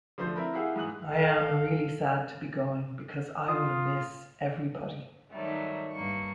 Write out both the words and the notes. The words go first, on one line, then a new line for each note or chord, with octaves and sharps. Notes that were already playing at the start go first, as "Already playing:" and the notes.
I am really sad to be going because I will miss everybody.
D3 F3 A3 C5 C6
C4 E4 A#4 B5
E4 G4 G#4 F5 F#5 E6
G#2 E3 D#6 F#6 F#7
A4 F5
F4 D#6
D#3 F#3 G3 A3
G2 A#3 C#6